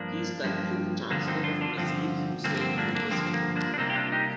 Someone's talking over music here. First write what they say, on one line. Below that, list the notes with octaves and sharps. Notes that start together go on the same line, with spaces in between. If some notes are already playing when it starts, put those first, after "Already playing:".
He is currently the Chancellor of Nazeer Hussain University.
Already playing: G2 F3 A#3 D4
G2 F3 A#3
G2 D3 F3 A#3 D4
C4 D#4
D4 F4
D4 F4
G2 D3 F3 C4
G2 D3 F3 A#3 C4
C4
A#3 D4
A#3 D4
G2 D3 F3 A#3 C4
A#3
A#3 D4
D4
C3 G3 A#3 C4 D#4
G4
D4 F4
D#4 G4